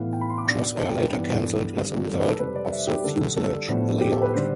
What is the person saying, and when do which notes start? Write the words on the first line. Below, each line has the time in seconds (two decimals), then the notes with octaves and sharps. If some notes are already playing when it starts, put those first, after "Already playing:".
Crossair later cancelled as a result of the fuselage layout.
Already playing: A2 E3 B3 F5
0.13 G5
0.21 B5
0.30 C6
0.38 D6
0.46 B2 B3 D4
0.77 A5
0.88 G5
0.99 B4
1.10 G2 E3 B3 D4
1.42 A4
1.75 D3 G3 C4
2.07 A4
2.18 B4
2.29 A4
2.39 F2 C3 G3 C4 B4
2.55 D5
2.72 E5
2.87 G4
3.04 D3 G3 D4 A4
3.37 A4
3.68 A2 F3 B3 D4
4.01 G4
4.12 A4
4.22 B4
4.33 D3 G3 C5